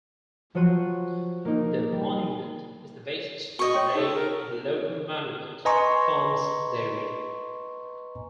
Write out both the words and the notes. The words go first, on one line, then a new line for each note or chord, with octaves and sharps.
The monument is the basis for the name of the local Monument Farms Dairy.
F3 F#3 C5 C#5 F#6 D#7
A#3 D#4
G3
F#4 D#5 C#6
C#5 G5 C6
D#4 A4
A#4
B4 D#5 G#5 A#5 C6 C#6